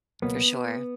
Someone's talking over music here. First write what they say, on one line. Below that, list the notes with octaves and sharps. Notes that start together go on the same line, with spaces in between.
For sure.
C#2 B2 F#3 A#3 B3